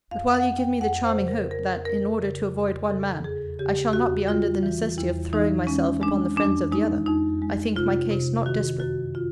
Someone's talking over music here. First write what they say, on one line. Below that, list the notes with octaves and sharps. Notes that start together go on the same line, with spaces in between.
But while you give me the charming hope, that, in order to avoid one man, I shall not be under the necessity of throwing myself upon the friends of the other; I think my case not desperate.
F2 F5
F#5
F2
G5
F2 F#5
C5
C#3
A#4
F2 A#4
F2 A#4
C#3
F2
C#3 A4
E2 G#4
C#3 G4
E2 F#4
G3 F4
E3
E2 E4
E3 D#4
G#3 C#4
G#3 D4
F2 D4
G#3 D#4
F2 D#4
G#3
C3 F4
C3
D#3 F#4
F#2 F#4
F4